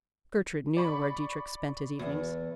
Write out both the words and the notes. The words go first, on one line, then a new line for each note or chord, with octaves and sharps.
Gertrude knew where Dietrich spent his evenings.
D5 B5 C#6
E2